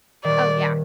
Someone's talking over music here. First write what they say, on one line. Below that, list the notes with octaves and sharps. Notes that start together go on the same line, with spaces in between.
Oh, yeah.
D#1 D#3 D5